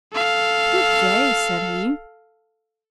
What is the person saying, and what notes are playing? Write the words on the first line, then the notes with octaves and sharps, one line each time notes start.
"Good day!" said he.
A4 F5